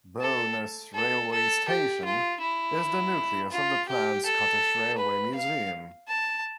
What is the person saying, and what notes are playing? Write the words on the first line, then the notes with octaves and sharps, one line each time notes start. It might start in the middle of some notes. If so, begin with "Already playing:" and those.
Bo'ness railway station is the nucleus of the planned Scottish Railway Museum.
A4
A4
A4
G4
F4
E4
F4
G4
A4
B4
F5
A5